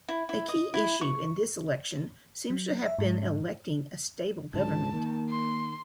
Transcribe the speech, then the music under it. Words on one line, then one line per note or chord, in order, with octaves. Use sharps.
A key issue in this election seems to have been electing a stable government.
E4
E4
D#5
E4
C#6
F#3
E5
G#2
C#2 G#2 D3 A5
D#3 A#3
C6